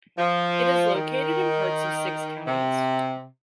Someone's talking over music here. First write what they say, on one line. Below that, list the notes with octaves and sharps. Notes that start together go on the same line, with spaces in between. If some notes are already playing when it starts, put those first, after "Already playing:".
It is located in parts of six counties.
F3
D#3
C3